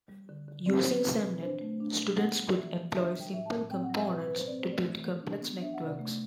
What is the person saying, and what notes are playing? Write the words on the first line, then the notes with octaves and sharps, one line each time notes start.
Using SemNet, students could employ simple components to build complex networks.
G3
D3
D3
C4 D5
C5
F#3
B4
B2
B2
D4 C5
A3
D4
B2
B3 F#5
G3
D5
E3 E5
E3
D4 E5
G3
G5
A2 E5
A5
A2
A5
C4 G5
F#5
F#3
E5
B2 B4
B4
B2
C5
C4 D5
C5
A3
D5
E3
E3
D4
B3
D4 E5
F#5
C3
D5
A3